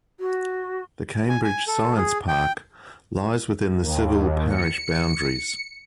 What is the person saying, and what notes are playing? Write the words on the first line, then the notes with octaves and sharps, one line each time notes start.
The Cambridge Science Park lies within the civil parish boundaries.
F#4
G#5
G#5
A4
G#4
G5
D#2
C#7